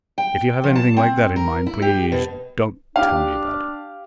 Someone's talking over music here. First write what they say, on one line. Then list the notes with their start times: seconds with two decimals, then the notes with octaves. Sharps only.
If you have anything like that in mind please don't tell me about it.
0.18 G5
0.64 F3
0.76 A5
0.97 C4
1.36 A#4
1.66 E4
1.82 G4
2.12 B2
2.96 D4 G4 F5